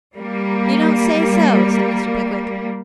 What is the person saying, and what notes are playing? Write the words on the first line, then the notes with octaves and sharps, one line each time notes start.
'You don't say so?' said Mr. Pickwick.
G3 A#3